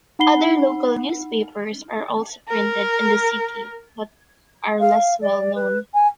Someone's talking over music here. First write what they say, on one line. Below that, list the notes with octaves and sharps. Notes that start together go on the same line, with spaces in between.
Other local newspapers are also printed in the city, but are less well known.
D#4 F#5 B5 C7 G7
A#4
F5
D5
B4
G#5